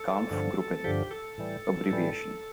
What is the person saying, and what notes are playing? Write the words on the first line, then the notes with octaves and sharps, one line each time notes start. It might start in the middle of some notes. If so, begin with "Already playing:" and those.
"Kampfgruppen"; abbrev.
Already playing: A4
G2 D3 F3
G2 D3 F3 G4
A4
A2 E3 G3
A2 E3 G3